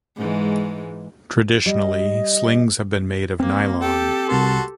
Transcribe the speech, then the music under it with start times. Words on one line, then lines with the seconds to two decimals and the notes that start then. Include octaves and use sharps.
Traditionally, slings have been made of nylon.
0.16 G#2 E3 G#3
1.66 G3 D#5
3.40 A#3 C4
3.82 G4 A4 G5
4.29 C2 C3 F#4 A#4 A5 C6